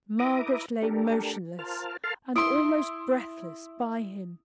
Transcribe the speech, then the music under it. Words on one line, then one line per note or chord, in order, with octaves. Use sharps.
Margaret lay motionless, and almost breathless by him.
E4 B4 E5 A#5 D6 D#6
A3 D4 G4 A4 A#4
F4 A#4 C5 A5 F6
A4 A#4 F5 A5 C6 F6
E4 C6 D#6 D7